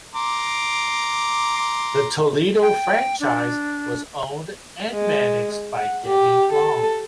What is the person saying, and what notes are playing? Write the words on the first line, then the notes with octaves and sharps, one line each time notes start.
The Toledo franchise was owned and managed by Denny Long.
A#5 C6 D6
G5
D4
G#3
F#5
G4
A4